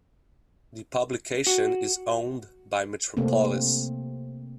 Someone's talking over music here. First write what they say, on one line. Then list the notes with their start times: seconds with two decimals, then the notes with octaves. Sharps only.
The publication is owned by Metropolis.
1.47 F#4
3.17 C3 A3 A#3 C4